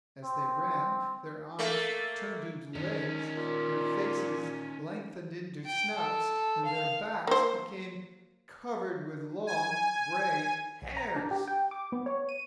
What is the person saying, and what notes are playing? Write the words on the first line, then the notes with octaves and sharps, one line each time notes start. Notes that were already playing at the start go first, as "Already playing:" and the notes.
As they ran, their arms turned into legs, their faces lengthened into snouts and their backs became covered with long gray hairs.
C4
A3 A#3
D#3 C#4 D#4
A#2
G5
A4
F5
A#3 C5
G#5
A#1
A#5
D4
G4
G5
D6
B3
C#5
D#7